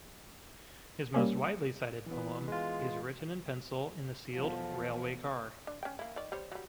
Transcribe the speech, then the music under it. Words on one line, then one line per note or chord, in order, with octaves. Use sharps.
His most widely cited poem is "Written in Pencil in the Sealed Railway Car".
G3 A#3 C#4
E3 B3
G#3 F4
E2 B2 F3 A3
D4
C#4 G5
A#3 E4
D#3 D5
G3 C5 C#5
F#3 G3